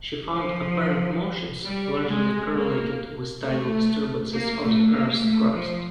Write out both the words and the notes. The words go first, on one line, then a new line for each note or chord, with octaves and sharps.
She found apparent motions largely correlated with tidal disturbances of the earth's crust.
F3
G3
G#3
A#3
A3
A#3
A3
A#3
A3
F3